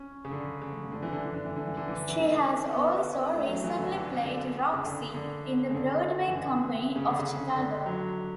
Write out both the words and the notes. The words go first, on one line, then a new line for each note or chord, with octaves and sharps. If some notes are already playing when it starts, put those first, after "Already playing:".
She has also recently played Roxie in the Broadway company of "Chicago".
Already playing: C#4
C#3
D3
C#3
D3
E3
D3
E3
D3
E3
D3
E3
D3
E3
D3
E3
D3
B3
A3
F#3
E3
D3
D3
D3
C#3
D3
D3
C#3
D3
E3
D3
C#3
D3
C#3
D3
F#3